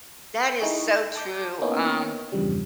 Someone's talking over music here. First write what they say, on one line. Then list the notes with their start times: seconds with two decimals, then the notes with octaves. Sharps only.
that is so true. Um,
0.60 D#4 E4 G#4 D#5 C#6
1.16 A5 D6 G6
1.61 A#3 B3 C#4 D#4 E4
2.32 E2 G2 C#3 F3 G3